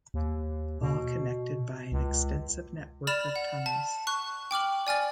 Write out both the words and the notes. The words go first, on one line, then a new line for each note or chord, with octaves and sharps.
All connected by an extensive network of Tunnels.
D#2
B2
C#2
D5 B5 F6 A6 E7 F7
F#5
A5
C#6 F#6
G5 D6 F6 F#7
D5 G#5 F6 A6